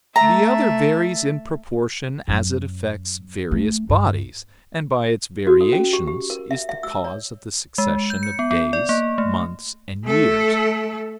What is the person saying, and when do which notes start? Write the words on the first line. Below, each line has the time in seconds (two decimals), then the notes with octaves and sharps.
The other varies in proportion as it affects various bodies, and by its variations is the cause of the succession of days, months, and years.
0.16 A3 E5 A#5
2.27 F#2 F#3
3.51 A3
3.89 G2
5.47 F#4
5.61 A4
5.73 C#4
5.93 G4
6.08 G4
6.30 A#4
6.51 E5
6.69 E5
6.83 E6
7.05 C#5
7.78 G#3
8.10 G6
8.23 C#7
8.39 B3
8.51 B3
8.73 D5
8.89 A#3
9.18 A3
10.05 A3 A4